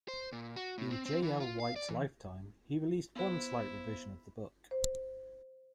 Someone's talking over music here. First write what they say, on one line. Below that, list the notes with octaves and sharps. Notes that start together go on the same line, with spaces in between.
In J. L. White's lifetime, he released one slight revision of the book.
C5
A#2
F#4
A2
C4
C4
E3
F4
F5
D5
E3
B3 E4 C5
C5